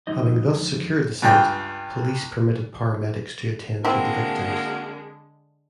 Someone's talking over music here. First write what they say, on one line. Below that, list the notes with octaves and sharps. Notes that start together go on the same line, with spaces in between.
Having thus secured the site, police permitted paramedics to attend to the victims.
F2 D3 G#3 D#4 D#5
C#2 G2 G5
D3 G#3 A#3 C4 D4 E4 F#4 A#4